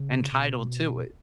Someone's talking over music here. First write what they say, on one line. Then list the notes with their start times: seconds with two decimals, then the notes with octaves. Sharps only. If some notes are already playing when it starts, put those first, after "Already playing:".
entitled to it.
Already playing: C#3
0.32 B2